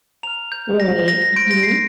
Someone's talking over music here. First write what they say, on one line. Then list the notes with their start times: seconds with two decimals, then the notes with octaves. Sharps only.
Right. Mhm.
0.23 A#5 F6 F7
0.52 G6
0.80 A#6
1.08 A#6
1.22 A#6
1.36 C6 G6 D7
1.51 A#6
1.63 C7